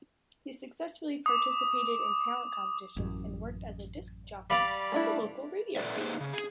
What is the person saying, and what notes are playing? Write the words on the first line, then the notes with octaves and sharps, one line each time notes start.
He successfully participated in talent competitions and worked as a disc jockey at a local radio station.
D6 D#6
A1 F#2
G3 D5 F5 B5
A3 D4 E4
A#2 A4 B4 D5 E5
A#3 D#4 G4 G#4 B4 C5
C#3
G#4